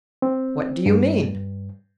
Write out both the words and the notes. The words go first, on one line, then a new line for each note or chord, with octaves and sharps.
What do you mean?
C4
G2